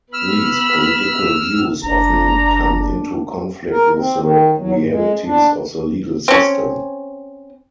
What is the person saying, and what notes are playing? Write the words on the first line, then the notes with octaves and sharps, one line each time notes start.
These political views often come into conflict with the realities of the legal system.
B3 B5 E6 F6
F#1 D4 A#5
A#4
C4
D#3
F#3
G#2
G#3
D4
C4 C#4